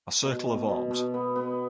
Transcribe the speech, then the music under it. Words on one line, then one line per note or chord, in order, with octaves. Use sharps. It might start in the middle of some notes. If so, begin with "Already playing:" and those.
A circle of arms.
B2
B2
B2
B2
B3
B3